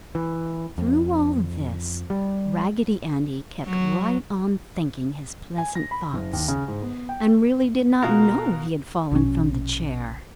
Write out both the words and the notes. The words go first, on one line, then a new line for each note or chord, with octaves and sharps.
Through all this Raggedy Andy kept right on thinking his pleasant thoughts, and really did not know he had fallen from the chair.
E3
F2
G3
F#3
G#5
A#6
B5
F#1
D#2
C#3
G#2
B3
G5
B2 F4 F#4 A#4
A#1 B2 D#3 C#4